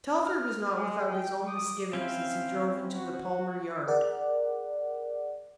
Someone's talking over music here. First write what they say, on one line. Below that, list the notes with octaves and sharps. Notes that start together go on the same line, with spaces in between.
Telford was not without his own misgivings as he drove into the Palmer yard.
F6
G#3
G5
D6 D#6
C4 C#4 E4 F5
F#4
G#4 A#4 D5 F#5